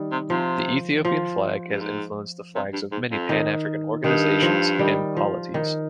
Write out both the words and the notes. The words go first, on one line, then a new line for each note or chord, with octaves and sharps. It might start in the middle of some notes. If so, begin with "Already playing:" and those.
The Ethiopian flag has influenced the flags of many Pan-African organizations and polities.
Already playing: D#3 G3
C3
C3 F3
F3
G2
G#2
C3
G2
G#2
F2
D#3
G2 D#3
F3
D#3 G3
F3
D#3